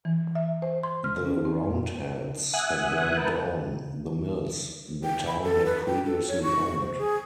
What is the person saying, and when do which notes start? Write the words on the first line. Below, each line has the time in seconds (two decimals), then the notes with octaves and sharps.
The Roundheads had burnt down the mills the town had previously owned.
0.05 E3
0.35 E5
0.62 C5
0.83 C6
1.04 F6
1.26 C#4
1.45 C4
1.63 F2
2.54 E5 F#5 G#5 D#6 F#6
3.17 A#4 B4 G5 A5
5.04 G5
5.27 B5
5.42 A4
5.66 B4
5.87 G5
6.06 A4
6.28 C#5
6.43 C#6
6.80 C5
6.97 G#4